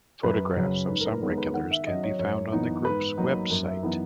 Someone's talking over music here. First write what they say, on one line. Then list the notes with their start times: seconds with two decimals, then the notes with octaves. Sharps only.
Photographs of some regulars can be found on the group's web site.
0.23 F#2 B4
0.56 C#3 F#3 C#4
0.89 G#2 B4
1.01 A#4
1.05 B4
1.22 D#3 G#3 B3 D#4 C#5
1.38 B4
1.54 D#3 F#5
1.71 E5
1.87 F#3 C#4 D#5
2.03 C#5
2.19 F#2 C#5
2.52 E3 B3 D#4
2.85 G#2 B4
3.17 F#3 A#3 D#4
3.50 F#2 A#4
3.67 E5
3.83 E3 B3 D#4 B4